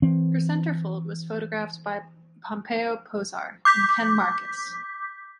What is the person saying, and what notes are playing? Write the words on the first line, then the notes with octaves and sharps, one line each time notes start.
Her centerfold was photographed by Pompeo Posar and Ken Marcus.
E3 C4
D6 G6 B6